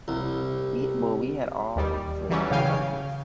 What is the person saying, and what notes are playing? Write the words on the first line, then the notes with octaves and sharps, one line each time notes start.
we well, we had all went to the circus.
C2
D#2 D#3 G3
E3 F#3 G3 C#4
A2 C#3 F5 G5 G#5 C7
C#3